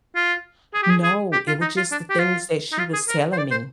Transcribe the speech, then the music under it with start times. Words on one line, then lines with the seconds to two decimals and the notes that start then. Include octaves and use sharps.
No. It was just the things that she was telling me.
0.16 F4
0.74 G#4
0.83 G4
0.90 G#4
1.03 G#4
1.32 G4
1.47 F4
1.61 D#4
1.77 F4
1.91 D4
2.10 G4
2.19 F4
2.72 D#4
2.79 F4
2.93 G#4
3.08 A#4
3.32 C5
3.37 D5
3.51 C5